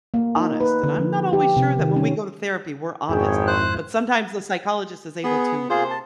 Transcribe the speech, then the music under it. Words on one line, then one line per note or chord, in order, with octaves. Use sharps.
honest, and I'm not always sure that when we go to therapy, we're honest, but, sometimes the psychologist is able to,
A#3
D#4
B4
D3
F3
G4
C3
D#3
C#4
G#1 F2 G#2 E4 G#4 C#5 G5
C5 F#6
B3 G#4
C3 A#3 F4 G#4 C5
A5